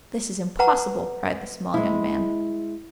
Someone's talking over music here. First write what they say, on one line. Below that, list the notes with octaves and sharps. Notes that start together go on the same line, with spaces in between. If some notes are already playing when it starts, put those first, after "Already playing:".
"This is impossible!" cried the small young man.
B4 F#5 A#5
G#3 E4